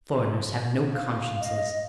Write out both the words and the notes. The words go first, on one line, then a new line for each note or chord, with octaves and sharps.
Foreigners have no consciences.
F5
D#5